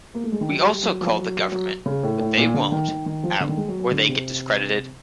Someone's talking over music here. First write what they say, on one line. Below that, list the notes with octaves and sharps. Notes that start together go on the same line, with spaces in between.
We also called the government, but they won’t, out or they get discredited.
A#3
A3
G#3
D#3
F#3
G3
F#3
F3
F#3
F#3
C#3
A2
A2
A#2
D3
D#3
D#3
D#3
F3
D3
D#3
G#3
F#3
F#3
D3
C3